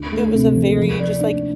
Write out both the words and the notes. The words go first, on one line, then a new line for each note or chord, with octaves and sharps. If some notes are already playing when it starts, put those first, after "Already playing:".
It was a very just, like,
Already playing: D2
A3
C3
F3
F3
D5
D4